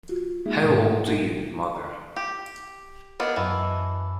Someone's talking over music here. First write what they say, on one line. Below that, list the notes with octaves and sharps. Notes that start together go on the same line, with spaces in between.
How old are you, mother.
F4 F#4
G#3 A#3 D#4 G#4 E5
G#2 B2
F#5
D4 D#4 D#5
G4
A#3 B3 D4 A#4 D#5 F6
F#2 E3 D#5 A5 B5